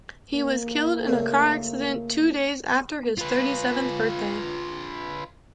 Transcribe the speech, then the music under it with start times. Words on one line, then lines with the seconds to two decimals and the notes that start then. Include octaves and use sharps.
He was killed in a car accident two days after his thirty-seventh birthday.
0.35 A#3
1.07 A#2 C#3 A3
3.18 F4 B4